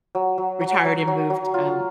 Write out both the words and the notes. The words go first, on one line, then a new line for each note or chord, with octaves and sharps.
retired and moved, um,
F#3
F#3
F#3
F#3
F#3
F#3
F4